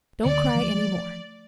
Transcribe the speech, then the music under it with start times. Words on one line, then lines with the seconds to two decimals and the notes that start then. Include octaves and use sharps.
Don't cry any more.
0.25 D2 D3 A#3 D5
0.55 E3 F3 A3